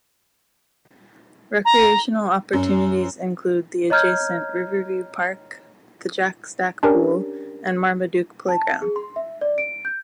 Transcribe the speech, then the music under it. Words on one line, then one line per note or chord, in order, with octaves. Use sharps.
Recreational opportunities include the adjacent Riverview Park, the Jack Stack pool, and Marmaduke Playground.
A#5
F#2
C#5 D#5 A#5 F6 G6 G#6
C#4 D4 G4 A#4
A5
G#4
C6
E5
D5
D7
G6